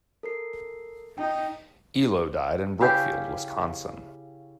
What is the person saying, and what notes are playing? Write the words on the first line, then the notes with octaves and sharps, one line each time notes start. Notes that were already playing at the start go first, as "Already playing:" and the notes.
Elo died in Brookfield, Wisconsin.
A4 A#4 C7
D#4 G5
C#3 E4 G4 F5 G5 G6